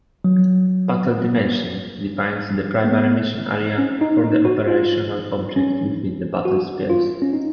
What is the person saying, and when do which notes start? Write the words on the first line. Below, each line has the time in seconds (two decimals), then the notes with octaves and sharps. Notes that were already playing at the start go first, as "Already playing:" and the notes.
"Battle dimension" defines the primary mission area for the operational object within the battlespace.
0.24 F#3
2.84 A#3
2.90 B3
3.78 C#4
4.01 D#4
4.24 D#4
4.45 F#4
4.67 F4
5.56 C#4
6.45 F#4
6.90 F4
7.22 C#4
7.33 D#4